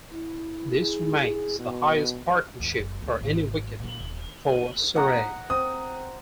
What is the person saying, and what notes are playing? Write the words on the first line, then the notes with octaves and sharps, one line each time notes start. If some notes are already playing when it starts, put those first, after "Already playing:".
This remains the highest partnership for any wicket for Surrey.
E4
G#4
B2
D#2 G#2
F#1
D2 A#2
G#1
A#2 D3
D#1
F#5 A#5 D#6
C4 D#6